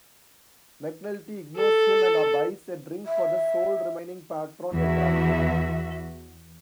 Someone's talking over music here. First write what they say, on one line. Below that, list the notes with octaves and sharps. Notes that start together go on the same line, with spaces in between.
McNulty ignores him and buys a drink for the sole remaining patron, a drunk.
A4
E5
E2 E3 F#4 E5